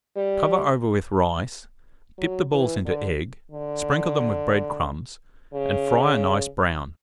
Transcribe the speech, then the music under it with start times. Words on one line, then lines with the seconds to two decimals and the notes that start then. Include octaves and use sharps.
Cover over with rice, dip the balls into egg, sprinkle them with bread crumbs, and fry a nice brown.
0.16 G3
2.18 F#3
2.51 E3
2.85 D3
3.51 D3
5.54 C#3